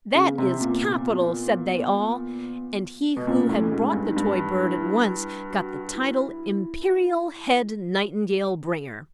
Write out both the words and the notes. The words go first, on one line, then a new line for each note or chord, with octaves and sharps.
"That is capital!" said they all, and he who had brought the toy bird at once got the title Imperial Head-Nightingale-Bringer.
C#3 C#4
B3
C3 C4
A#2 B3
C4
B3
B2
A#2 C#4
A2
G#2
G2
D#4
G2 D4
E4
F#4
E4